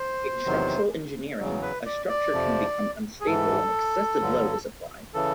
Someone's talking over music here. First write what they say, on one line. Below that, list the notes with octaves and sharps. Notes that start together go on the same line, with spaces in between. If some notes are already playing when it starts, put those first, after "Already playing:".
In structural engineering, a structure can become unstable when excessive load is applied.
Already playing: C5
E2 C3 D#3 F#3
E2 C#3 F#3
B4
D5
D5
F2 C3 F3
G#4
G#2 E3 A4
G2 D3 F#3
C#3 E3 A4